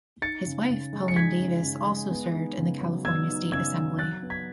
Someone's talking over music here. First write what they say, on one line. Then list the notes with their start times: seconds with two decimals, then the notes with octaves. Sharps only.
He wife Pauline Davis also served in the California State Assembly.
0.22 D#4 A6 C#7
0.46 C#3
0.70 C#3
0.93 G#3
1.08 C#7
1.16 D#4 G#6 B6
1.40 C#3
1.63 C#3
1.87 G#3
2.11 B3
2.34 D#4
2.57 C#3
2.81 F#3
3.05 B3 E6 G#6
3.28 D#4
3.52 C#3 E6 G#6
3.75 F#3
3.99 F#3 F#6 A6
4.23 B3
4.30 G#6 B6